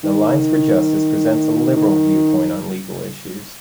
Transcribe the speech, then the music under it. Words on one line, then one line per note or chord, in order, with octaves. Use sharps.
The Alliance for Justice presents a liberal viewpoint on legal issues.
D#3
D#3